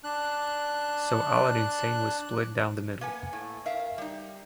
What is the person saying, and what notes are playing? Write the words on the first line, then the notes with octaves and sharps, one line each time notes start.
So "Aladdin Sane" was split down the middle.
D4 F#6
A#3 B3 G#5
A2
A#4 E5 F5
G3 D#4